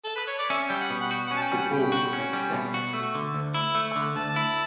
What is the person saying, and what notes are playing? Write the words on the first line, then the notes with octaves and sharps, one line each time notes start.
The Borg accept.
A4
B4
C#5
D5
C#4 E5
G3 G5
F#5
B2
F#5
F#4 G5
F#5
C#4
A5
G5
G3
F#5
B2 G5
F#4
C#4
G3
B2
F#4
A3
D3
D2
E4
A3
D3
D2 A5
E4